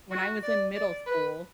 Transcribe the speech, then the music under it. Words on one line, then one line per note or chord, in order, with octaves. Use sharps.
When I was in middle school
F#4
D5
D5
B4